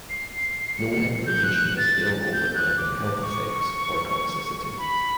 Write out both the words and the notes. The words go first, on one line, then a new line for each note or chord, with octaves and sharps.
No information is available regarding health effects or toxicity.
C7
C#7
C#7
G6
F#6
A6
G6
F#6
D6
D6
C#6
B5